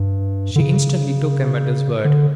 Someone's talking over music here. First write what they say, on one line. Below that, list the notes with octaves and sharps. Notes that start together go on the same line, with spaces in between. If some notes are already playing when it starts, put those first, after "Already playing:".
She instantly took him at his word.
Already playing: G2
D3
C#3
D3